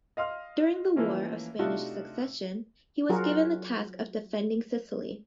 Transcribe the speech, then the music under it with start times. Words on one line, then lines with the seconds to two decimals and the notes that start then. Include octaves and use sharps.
During the War of Spanish Succession, he was given the task of defending Sicily.
0.17 D#5 F5 C6 F6
0.96 E3 F3 A3 A#3 C#4
1.59 C3 A3 D4 D#4 F4 F#4
3.09 F#3 F4 F#4 G#4 A#4